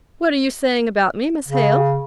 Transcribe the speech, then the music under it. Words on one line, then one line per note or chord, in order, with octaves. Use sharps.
'What are you saying about me, Miss Hale?
C#3